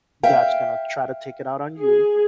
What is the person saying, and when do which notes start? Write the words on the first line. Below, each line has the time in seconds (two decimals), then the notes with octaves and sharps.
that's gonna try to take it out on you
0.23 E5 F5 G5
1.80 G#4